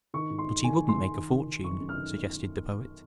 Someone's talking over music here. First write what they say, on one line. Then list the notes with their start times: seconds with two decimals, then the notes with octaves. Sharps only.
"But he wouldn't make a fortune," suggested the Poet.
0.14 D#3 C#6
0.30 G#2
0.38 C6
0.47 D#3
0.63 D#3 G#5
0.81 D#3
0.89 C6
0.97 D#3
1.14 D#3
1.31 D#3
1.46 D#3
1.64 D#3 C#6
1.80 F#2
1.89 F6
1.98 D#3